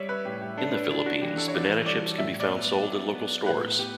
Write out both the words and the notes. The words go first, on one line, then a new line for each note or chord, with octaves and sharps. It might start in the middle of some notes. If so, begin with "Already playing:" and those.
In the Philippines, banana chips can be found sold at local stores.
Already playing: G3 C#5 E5
B4
A2 G4
G4
D4 A4
B4
D4 E4
F#4
E3 G4
A4
C#5
E3 D5
G3 D5
A2 E5
D5
B3
F#3
B3
A2 B4
B3 G4